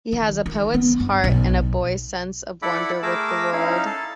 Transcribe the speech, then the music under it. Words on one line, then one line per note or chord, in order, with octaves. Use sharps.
He has a poet's heart and a boy's sense of wonder with the world.
D#3
D#3
B3
G2
B1
E4 A4 D5 F#5 B5
A3 G#4 A#4 D6 E6
C#4 D#4 E4 F5
A4 A5